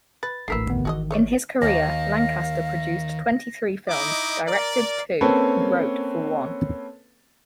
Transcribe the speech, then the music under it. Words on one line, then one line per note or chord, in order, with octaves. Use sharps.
In his career, Lancaster produced twenty-three films, directed two and wrote for one.
B4 A6
D1 A1 D3 A#4 B4 E6 B6 C7
C3 D#3 B3
G#1 E3 F#4 G#4 D#5
A3 C#5 D5
D#2 D#3 A#3 F5 A#6
D#4 E4 D#5 D6
A#4 D5
A#3 C4 C#4 A4 B4 C#5